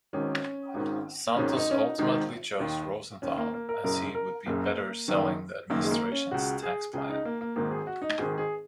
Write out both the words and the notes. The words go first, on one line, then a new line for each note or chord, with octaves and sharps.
Santos ultimately chose Rosenthal, as he would be better selling the administration's tax plan.
G#1 G#2 D#3 C#4
G#1 G#2 D#3
A#3
G#1 G#2 D#3 C#4
D#4
C#4
D#4
G#1 G#2 D#3 D#4
D#2 D#3
D#2 D#3 C#4
A#3
A#3
A#4
F#1 F#2 C#3 A#4
A#4
F#1 F#2 C#3 A#3
F#1 F#2 D#3
F#1 F#2 D#3 A#3
G#3
A#3
C#4
C#2 C#3 F#4
G#4
C#2 C#3 G#4
D#4
A#3
A#3
G#1 G#2 D#3 A#3
G#4
F#4
D#4
G#1 G#2 D#3 G#4
G#4